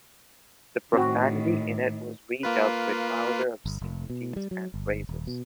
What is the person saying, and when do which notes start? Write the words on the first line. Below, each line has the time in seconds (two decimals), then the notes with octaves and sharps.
The profanity in it was re-dubbed with milder obscenities and phrases.
0.93 A2 D#3 C4 F#4
2.43 A#3 F4 B4
3.65 G1
3.81 F1
4.10 B2
4.36 G3
4.51 F#3
4.74 G1
5.09 D#1
5.27 B2